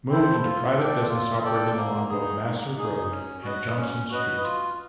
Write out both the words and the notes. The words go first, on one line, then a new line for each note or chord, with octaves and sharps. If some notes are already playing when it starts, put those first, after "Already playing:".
Moved into private business operating along both Nasser Road and Johnson Street.
C4 E4 A4 C5
F4
A4 D5 G5
F4
A4 D5 G5
A#3
D#4 G#4
A#3
D#4 G#4
C#4
F#4 B4 D#5
C#4
F#4 B4 D#5
F4